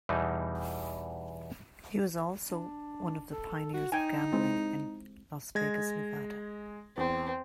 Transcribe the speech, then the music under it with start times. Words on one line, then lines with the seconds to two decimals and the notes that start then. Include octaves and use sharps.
He was also one of the pioneers of gambling in Las Vegas, Nevada.
0.09 E2 B2 E3 G3 D#4
2.51 D4
3.32 A4
3.74 F#4
3.92 D#4 G5 G#5
4.32 G#3 C4 E4
5.55 G#3 G#6 A#6
6.97 E2 C4